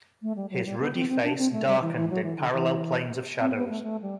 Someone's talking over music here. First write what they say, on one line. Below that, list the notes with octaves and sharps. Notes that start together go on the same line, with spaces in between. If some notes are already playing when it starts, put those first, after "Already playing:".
His ruddy face darkened in parallel planes of shadows.
A3
G3
F#3
G3
B3
C4
C4
D4
C4
A3
G3
E3
E3
F#3
E3
D3
E3
C4
B3
A3
A3
G3